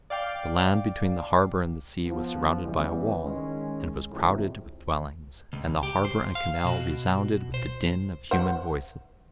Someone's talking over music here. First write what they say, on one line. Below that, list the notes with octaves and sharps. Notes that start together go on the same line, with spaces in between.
The land between the harbour and the sea was surrounded by a wall, and was crowded with dwellings, and the harbour and canal resounded with the din of human voices.
D5 F5 G5 D6
F3 B3
C#3 E3 G3 B3
D#3 G#3 C#4
G#1 F2 A2 C3
C#2
G4
C5
F5
B2 F#4
C5
C5 F#5